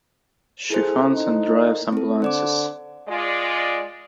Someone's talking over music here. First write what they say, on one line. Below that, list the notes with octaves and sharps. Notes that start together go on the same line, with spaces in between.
She funds and drives ambulances.
E4 G#4 A4 C5
D#4
C4 A4
D3 C5 D5 D6
G#3 F4 D5